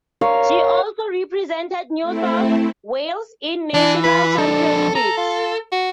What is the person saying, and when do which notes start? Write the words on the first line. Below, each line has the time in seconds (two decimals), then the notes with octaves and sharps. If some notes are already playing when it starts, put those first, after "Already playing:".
She also represented New South Wales in National Championships.
0.21 A#4 C#5 F5
2.02 A3 C4 E4
3.74 E3 D4
4.04 B4
4.38 F2 D4 A4
4.95 A4 A#5
5.17 F4
5.72 F#4